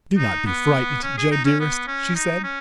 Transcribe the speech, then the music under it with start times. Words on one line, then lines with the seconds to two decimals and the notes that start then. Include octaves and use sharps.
"Do not be frightened, Joe dearest," she said.
0.18 D#4
0.46 B3
1.03 C#4
1.17 G#4
1.31 D#4
1.45 C#4
1.60 B3
1.87 C#4
2.15 D#4
2.44 C#4